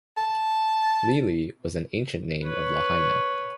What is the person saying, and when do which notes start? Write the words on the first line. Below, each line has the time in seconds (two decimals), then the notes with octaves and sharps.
"Lele" was an ancient name of Lahaina.
0.17 A5
2.45 B4 C#5